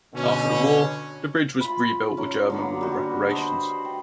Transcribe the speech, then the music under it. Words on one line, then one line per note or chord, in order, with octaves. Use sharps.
After the war, the bridge was rebuilt with German war reparations.
B2 D3 C#4
F4 B5
C#4 A#4
D3 A#3 B3
G3 F#4
A4 C5 D#5 B5
G5